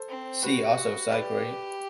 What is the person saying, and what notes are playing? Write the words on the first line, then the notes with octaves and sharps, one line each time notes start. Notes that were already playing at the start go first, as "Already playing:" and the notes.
See also: sidegrade.
Already playing: A4 C5
C4
F#4 G4 B4
G4 B4 D5